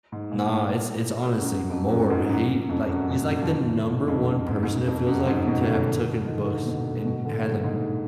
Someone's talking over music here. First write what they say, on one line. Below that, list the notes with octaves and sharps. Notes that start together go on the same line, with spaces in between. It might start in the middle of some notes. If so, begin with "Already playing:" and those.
Nah, it's it's honestly more he like, he's, like, the number one person it feels like to have taken books and had them,
G#2
A#2
F#2
F2
F#2
G#2
F#2
F#2
F2
F#2
A#2
F3
D#3
A#2
G#2
F2
F#2
G#2
G#2
F#2
F2
F#2
G#2
B2
D3
D3
D#3
D3
A#2
B2
D3
B2
D3
A#2
G#2